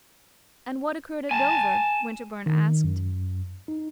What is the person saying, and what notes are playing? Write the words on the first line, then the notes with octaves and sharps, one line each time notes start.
"And what occurred at Dover?" Winterbourne asked.
G#5 A5
D#3
F#2
D#4